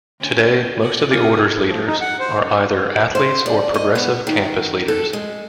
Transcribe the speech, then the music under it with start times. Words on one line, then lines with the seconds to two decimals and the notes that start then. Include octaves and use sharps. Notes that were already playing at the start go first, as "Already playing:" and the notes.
Today, most of the Order's members are either athletes or progressive campus leaders.
0.20 D2 D3 C#4 G5
0.81 A#2 D5 F#5
1.11 C3 F4 G#4 A#4 D6 D#6 F6 G6
1.68 F3
1.87 D#4
2.01 F#5
2.20 C5
2.39 F#2
3.15 C5
3.46 D5
3.74 D#5
3.95 B3
4.27 D#3
4.88 A4
5.13 G#3